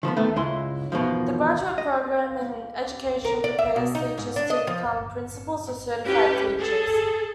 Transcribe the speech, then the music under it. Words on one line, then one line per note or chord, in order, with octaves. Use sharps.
The graduate program in education prepares teachers to become principals or certified teachers.
D#3 F3 A3 B3
D#3 A3 B3
C#2 G#3 E4 C6
E2 B2 D#3 F3
D#5
A#4
D5
E5
B2
D#4
G#2
D4
D#5
F3
C#4 E4 G4 B4
G#4 A4